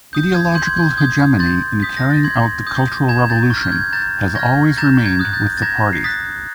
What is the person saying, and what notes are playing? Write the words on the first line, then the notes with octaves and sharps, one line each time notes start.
Ideological hegemony in carrying out the cultural revolution has always remained with the party.
D#6 G6
G#6
C6 G6
G#6
G6
D#6 G6 G#6
C6 G6 A6
D#6 G6 B6
A#6
A6
C6 G#6
D#6 G6
A#5 G#6
G6 A6
C#6 F6
G6
G#6
A#5 G6 A6
C#6 F6 G#6 A#6
A#5 G6 A6
G#6
D#6 F#6
G6 A6
A6
A#5 G#6 A#6
C7
D#6 F#6 A6 B6